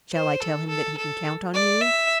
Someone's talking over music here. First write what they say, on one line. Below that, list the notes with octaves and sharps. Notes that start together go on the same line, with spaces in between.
"Shall I tell him that he can count on you?"
C5
A4
A4
A4
D5
E5